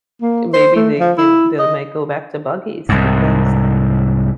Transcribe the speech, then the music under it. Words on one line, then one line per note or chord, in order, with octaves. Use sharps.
maybe they can they'll might go back to buggies because
A#3
C5
A3
F3
E4
D#5
C2 G#2